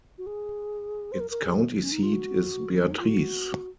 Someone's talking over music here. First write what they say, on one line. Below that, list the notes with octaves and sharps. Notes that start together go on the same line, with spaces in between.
Its county seat is Beatrice.
F#4
G#4
C5
A#4
A#4
G#4
F#4
C#4
D#4
F4
F#4
C4
C#4
D#4
F4
F#4